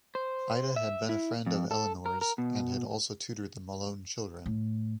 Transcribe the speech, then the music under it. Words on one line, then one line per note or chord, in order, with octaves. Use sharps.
Ida had been a friend of Elinor's and had also tutored the Malone children.
C5
E5
E4
F2
A4
A#4
A#4
B2
A2